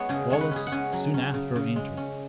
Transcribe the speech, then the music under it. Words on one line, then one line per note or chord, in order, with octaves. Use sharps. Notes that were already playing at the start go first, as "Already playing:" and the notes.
Wallace soon after entered.
Already playing: G#3 B3 C#5 D#5 F#5
C#3 G#4
G#3 C#5
B4
C#4 G#4
F#5
C#4 G#5
F#3
C#4
C#3
C#3
G#3
C#4